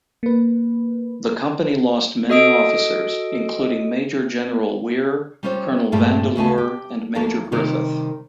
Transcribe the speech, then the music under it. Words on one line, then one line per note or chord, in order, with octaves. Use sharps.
The Company lost many officers, including Major General Weir, Colonel Vandeleur, and Major Griffith.
A#3 B4
F#4 A4 D#5 D#6 E6 D7
G3 C#4 F4 C5 C#5
G2 A#2 A3 F4 G4 G#4
D2 C#3 A3 G#5 A5
G4
D2 F3 A#3 F#4 A4 F5
C3 D#3 G3 A#4